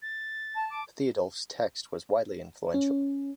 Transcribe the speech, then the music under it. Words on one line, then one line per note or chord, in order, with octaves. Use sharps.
Theodulf's text was widely influential.
A6
A5
D6
C#4